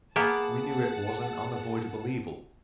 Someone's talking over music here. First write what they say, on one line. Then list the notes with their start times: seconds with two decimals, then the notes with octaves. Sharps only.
We knew it was an unavoidable evil.
0.16 A#3 B3 G#4 F#5 A5